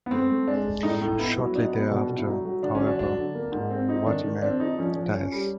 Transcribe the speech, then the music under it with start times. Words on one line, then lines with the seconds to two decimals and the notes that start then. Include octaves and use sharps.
Shortly thereafter, however, Vortimer dies.
0.06 B3
0.11 A3 C4
0.30 A3
0.48 G#3 D4
0.65 G#3
0.83 A2 D#4
1.01 A2
1.19 B3 E4
1.37 F#3
1.55 D4 D#4
1.73 B3
1.91 B2 D4
2.09 B2
2.18 E4
2.27 F#3 D#4
2.45 F#3
2.63 D3 D4
2.75 C#4
2.81 F#3
2.87 D4
2.99 F#3 D4
3.17 D3
3.35 A#3
3.52 G#2
3.70 C4
3.89 D#4
4.06 D#3 D4
4.24 D#3
4.42 C4 D4
4.60 D#4
4.78 F3 C#4
4.96 F3 D4
5.14 C#4
5.32 G3